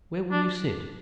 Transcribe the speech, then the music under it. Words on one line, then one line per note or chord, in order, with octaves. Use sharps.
Where will you sit?
D4